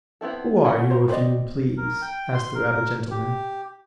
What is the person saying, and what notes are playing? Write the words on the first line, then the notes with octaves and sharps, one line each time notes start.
"Who are you, if you please?" asked the rabbit gentleman.
B3 C4 E4 A4
C#4 E4 C#5 F#5 G#5
C5 A#5
C4 B4 C5 D5 D#5
A#4
G5
C6
A#4
G4